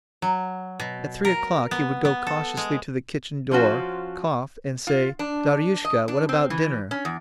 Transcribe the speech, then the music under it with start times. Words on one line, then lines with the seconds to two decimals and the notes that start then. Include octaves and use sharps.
At three o'clock he would go cautiously to the kitchen door; cough, and say, "Daryushka, what about dinner? . ."
0.22 F#3
0.80 B2
1.25 A#4
1.71 B3
2.05 B3
2.27 A4
2.57 G#3
3.51 F3 C#4 F4 F#4 C5
4.87 F4
5.19 D4
5.85 D#5
6.08 D4
6.29 C4
6.50 E3
6.91 C#4
7.05 E2